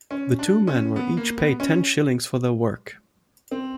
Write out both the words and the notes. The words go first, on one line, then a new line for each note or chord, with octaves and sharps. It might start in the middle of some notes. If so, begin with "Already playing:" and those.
The two men were each paid ten shillings for their work.
C#4
D4
C#4
B3
A#3
B3
C#4
C4